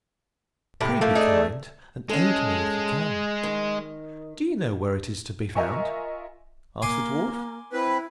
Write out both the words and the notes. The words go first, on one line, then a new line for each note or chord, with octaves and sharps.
Pray be kind, and aid me if you can!' 'Do you know where it is to be found?' asked the dwarf.
A2 C3 G4
F3 A3 A#3
D4 D#4 G#4
G#3 C#4 A4
D#3
F4 A#4 D#5 E5 G#5 C#6
A#3 G#5 C6 D6
C4 E4 B4